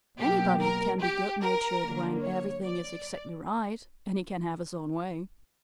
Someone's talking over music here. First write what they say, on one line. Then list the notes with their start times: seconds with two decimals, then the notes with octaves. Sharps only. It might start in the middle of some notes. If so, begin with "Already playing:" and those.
Anybody can be good-natured when everything is exactly right and he can have his own way.
0.19 B2 F#3 A#3 G4
0.61 A#4
1.01 G4
1.42 A#4
1.82 D3 F#3 A#3
2.23 C#5
2.63 D5